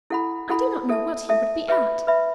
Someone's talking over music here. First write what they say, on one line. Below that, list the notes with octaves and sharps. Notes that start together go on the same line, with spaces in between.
I do not know what he would be at.
E4 A4 F#5 B5
E4 A4 F#5 B5
A4 E5 A5
A4 E5 A5
B4 E5 B5
B4 E5 B5